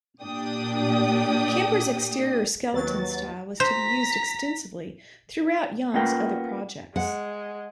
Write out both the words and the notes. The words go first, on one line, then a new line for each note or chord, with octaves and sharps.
Kemper's exterior skeleton style was to be used extensively throughout Jahn's other projects.
A#2 D4 G4 D5 G5 D#6
D#2 F#3 B4 A6
C5 A#5 B6
A#3 B3 C#4 F4 A#4 G5
G#3 F#5